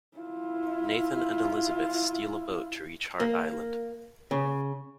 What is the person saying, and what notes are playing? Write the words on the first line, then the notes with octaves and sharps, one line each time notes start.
Nathan and Elisabeth steal a boat to reach Hart Island.
E4 F4
A#3
C#3